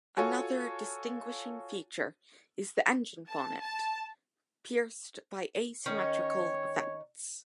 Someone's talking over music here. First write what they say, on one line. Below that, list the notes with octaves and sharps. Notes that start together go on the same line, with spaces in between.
Another distinguishing feature is the engine bonnet, pierced by asymmetrical vents.
F4 F#4 A4 C#5 G#5 C#6
A5
A5
D#3 C#4 C#5 D#5